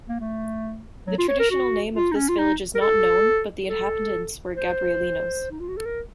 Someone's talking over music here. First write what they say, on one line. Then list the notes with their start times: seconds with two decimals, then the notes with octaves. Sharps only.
The traditional name of this village is not known, but the inhabitants were Gabrielinos.
0.08 A#3
0.20 A3
1.07 F#3
1.18 F4
1.28 C#5
1.40 A#4
1.51 F#4
1.94 F4
2.11 D#4
2.16 C#4
2.29 F4
2.38 D#4
2.75 A#4
2.81 A4
3.68 A4
4.55 C5
5.51 D#4
5.60 F4
5.68 F#4
5.77 A4
5.85 A#4